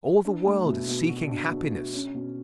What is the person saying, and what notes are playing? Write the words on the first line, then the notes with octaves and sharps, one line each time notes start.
All the world is seeking happiness.
D4
A3
B2
B2
F#4
D4
B2
F#4
C#4
B2